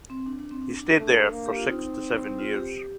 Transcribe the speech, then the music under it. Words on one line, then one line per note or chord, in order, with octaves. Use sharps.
He stayed there for six to seven years.
C4
D4
D4
C4
D4
D4
A3
A#3
G4
F4
C4 D#4
F4
G4